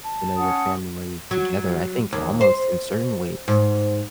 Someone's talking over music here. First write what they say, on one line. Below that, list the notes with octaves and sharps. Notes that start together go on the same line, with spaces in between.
you know, your family together. I think almost in certain ways,
A5
C#4 F#5 D#6
F#3
D#2
C5
G#2